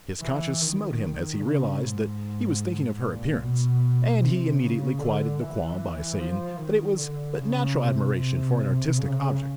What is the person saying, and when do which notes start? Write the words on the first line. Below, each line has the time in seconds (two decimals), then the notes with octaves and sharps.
His conscience smote him as he realized that he was thinking of her appearance, and he immediately quieted the qualm by saying that it was but natural admiration for an artistic object.
0.21 E3
0.61 D#3
1.41 C#3
1.81 G#2
3.01 A#2
3.40 B2
4.20 C3
4.59 C#3
4.99 D3
5.40 E3
6.19 F3
6.58 D#3
6.98 D3
7.39 C#3
7.78 C3
8.18 C3
8.98 C#3